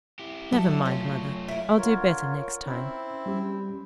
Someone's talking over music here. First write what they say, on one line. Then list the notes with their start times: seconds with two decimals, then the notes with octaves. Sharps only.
'Never mind, Mother; I'll do better next time.'
0.19 E4 G4
0.52 F#3 A4
0.85 A3 C#4 F4
1.48 E4 A#4
1.78 D3 F4 A#4 C#5
2.66 C4 C#4 E4
3.26 G3 C#4 G4